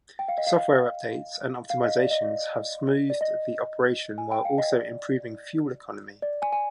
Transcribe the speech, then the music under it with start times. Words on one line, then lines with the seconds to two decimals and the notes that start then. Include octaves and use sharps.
Software updates and optimisations have smoothed the operation while also improving fuel economy.
0.19 G5
0.28 F5
0.38 D#5
0.47 F5
1.70 F5
1.83 D#5
1.97 D5
2.11 D#5
3.10 D5
3.21 D#5
4.18 G#5
4.32 G5
4.45 F5
4.58 D#5
4.71 D5
6.22 D5
6.42 G#5
6.53 G#5